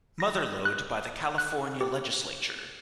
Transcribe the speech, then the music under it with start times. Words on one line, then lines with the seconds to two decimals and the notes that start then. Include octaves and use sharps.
Mother Lode by the California legislature.
0.20 A#6
0.65 F#6
1.38 F#6
1.81 G4